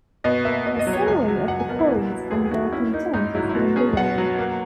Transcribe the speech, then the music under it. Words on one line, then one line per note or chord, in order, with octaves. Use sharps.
A summary of the quarries and their contents is given below.
B2 D#5
A#3 E5
B2 D#5
D#5
F#3
C#5
C#2 G#5
F#3
C#2 F#5
G#5
B2 A#4
E4
A#3
F#3
D#2 G#4
G#4
D#3 F#4
C#4 E4
A#3 D#4
G#2 D#4
F#3 E4
E4
B2 F#4
C#4 G#4
B2 F#5
F#3
A#3